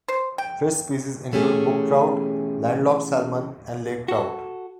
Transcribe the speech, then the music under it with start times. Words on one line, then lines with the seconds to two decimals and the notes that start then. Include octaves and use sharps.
Fish species include brook trout, landlocked salmon, and lake trout.
0.08 C5
0.38 G5
1.31 B2 E3 A3 C#4 G4 G#4
4.08 F#4 A4